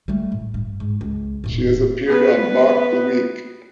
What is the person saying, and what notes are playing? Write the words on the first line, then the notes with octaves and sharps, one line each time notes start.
She has appeared on "Mock the Week".
G3 A3
A2
G2
G#2
C#2
D#1 A2
B3 B4